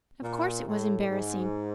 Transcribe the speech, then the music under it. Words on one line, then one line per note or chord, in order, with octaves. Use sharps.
Of course it was embarrassing.
A#2
A2
G#2